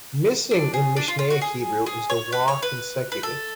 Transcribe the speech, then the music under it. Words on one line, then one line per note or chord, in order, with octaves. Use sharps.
Missing in Mishnaic Hebrew is the waw-consecutive.
D4
G#4
D4
F4
F4
F#4
G#4
G#4
C#5
B4
C#5
B4
B4
A4